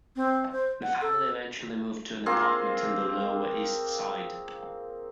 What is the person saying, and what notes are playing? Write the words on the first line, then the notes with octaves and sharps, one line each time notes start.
The family eventually moved to an apartment in the Lower East Side.
C4
C5
F#5
A4
A#3 C4 F4 G#4